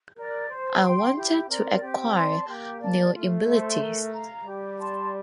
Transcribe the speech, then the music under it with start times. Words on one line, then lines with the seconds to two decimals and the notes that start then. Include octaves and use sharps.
I wanted to acquire new abilities.
0.17 A#4 D5
0.50 C5
0.83 G5 C6
1.15 E4 G4
1.49 C4 A#4 D5
1.81 C4 G4
2.14 D5 A5 C6
2.47 A#3 G4
2.80 D5 A5
3.13 A3 F4
3.46 A4 C5 E5
3.79 A#4
4.12 F5 A#5
4.45 G3 G4
4.79 D5 A5 C6